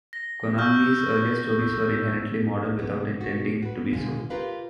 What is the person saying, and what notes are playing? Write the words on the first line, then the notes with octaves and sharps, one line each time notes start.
Konangi's earlier stories were inherently modern without intending to be so.
A#6
C#6 E6 F6 G6
C3 B3
B2 F#4
F#4 B4
B2 D3 G#3 F4
F4 G4 A#4 B4 F5